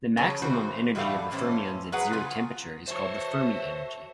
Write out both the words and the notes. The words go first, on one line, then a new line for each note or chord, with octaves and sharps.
The maximum energy of the fermions at zero temperature is called the Fermi energy.
C#3 F3 F#3 C#4
C#3 E3 F#4 C5
A2 E3 G3 A3 F5 F#5
A2 E3 C#4 C5
F#3 G#4 B4 F#5
C#3 F4 G#5
F#4 A4 C5 C#5 E5